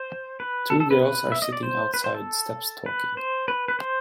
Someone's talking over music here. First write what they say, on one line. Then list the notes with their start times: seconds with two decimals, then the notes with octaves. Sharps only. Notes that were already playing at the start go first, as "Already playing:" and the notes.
Two girls are sitting outside steps talking.
Already playing: C5
0.40 B4
0.70 A4
0.80 A4
0.91 B4
1.01 B4
1.32 E5
1.42 D#5
1.53 D5
1.63 C5
1.94 B4
2.04 C5
2.14 A4
2.86 B4
3.17 C5
3.48 B4
3.68 B4
3.79 C5